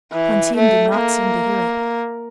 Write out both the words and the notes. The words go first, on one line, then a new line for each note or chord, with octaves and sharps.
Fantine did not seem to hear it.
E3
A3
A#3